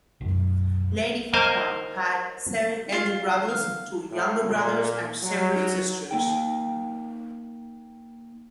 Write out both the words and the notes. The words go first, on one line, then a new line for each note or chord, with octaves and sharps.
Lady Fuca had seven elder brothers, two younger brothers, and several sisters.
B1 F#2
A#4 C5 D#5 F5 G#5
F4
F5
A2
A#2
F#3
A#3 D#4 G5